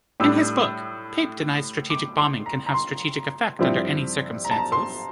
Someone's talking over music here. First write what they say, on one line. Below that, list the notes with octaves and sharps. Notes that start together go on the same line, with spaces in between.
In his book, Pape denies strategic bombing can have strategic effect under any circumstances.
A2 G3 D4 E6
D6
C6
A#5
A#5
C6
G2 F3 C4 E4
A#5
A5
A#5
C6